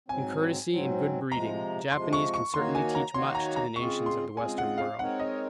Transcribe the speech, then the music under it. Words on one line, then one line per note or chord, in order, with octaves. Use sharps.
In courtesy and good breeding, the Japanese can certainly teach much to the nations of the Western world.
G#2 F#3 C4 G#5
G#2 F#3 C4
C3 F3 G#3 A#5
C3 F3 G#3 C6
C#6
C#6
D#3 A#3 D#4 F#4 C#5 C6
G#5
A#5
D#3 A#3 D#4 F#4 C#5 C6
A#5
A#5
C#3 G#3 C4 F4 G#4 C#6
C6
C#3 G#3 C4 F4 G#4 G#5
F#5
F5
G#3 C4 D#4 A#4 C#5 F#5
D#5